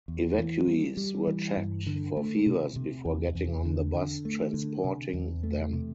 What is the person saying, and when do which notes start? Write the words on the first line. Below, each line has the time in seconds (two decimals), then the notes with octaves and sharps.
Evacuees were checked for fevers before getting on the bus transporting them.
0.08 E2
0.38 E3
0.67 G3
0.97 G3
1.27 E3
1.57 G2
1.87 D3
2.17 A3
2.46 C3
2.76 C3
3.05 E2
3.35 E2
3.65 D3
3.94 D3
4.25 A3
4.54 D3
4.84 C3
5.13 E2
5.43 A3
5.73 C3